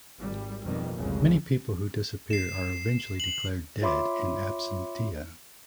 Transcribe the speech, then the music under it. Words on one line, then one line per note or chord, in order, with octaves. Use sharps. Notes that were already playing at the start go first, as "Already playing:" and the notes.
Many people who disappear are eventually declared dead "in absentia".
G#1 G3
F2 B2 D#3 G3 A#3
F#1 C2 F2 C#3 G#3
C7 E7
F#7
F4 C#5 E5 B5 C6 D6